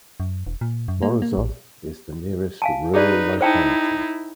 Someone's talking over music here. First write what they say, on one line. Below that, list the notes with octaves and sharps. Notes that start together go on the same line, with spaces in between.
Morozov is the nearest rural locality.
F#2
E1
A#2
F#2
A#3
A#3
A1
F5 G#5 A5
D#4 G#4 B4 D5
D#4 E4 C5 G5 A5